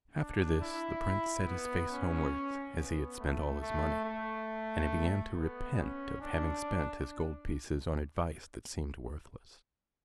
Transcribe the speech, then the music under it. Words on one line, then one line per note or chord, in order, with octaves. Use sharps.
After this the prince set his face homewards as he had spent all his money; and he began to repent of having spent his gold pieces on advice that seemed worthless.
D4
E4
B3
C#4
B3
A3
A3
A3
B3
C#4
D4